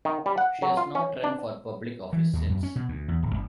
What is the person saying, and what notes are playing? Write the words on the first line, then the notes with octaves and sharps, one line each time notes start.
She has not run for public office since.
D#3
G3
F#5
F#3
F4
C#4
D4
E3
D#2
F#2
C#4
B2
D2
E2
D1
G1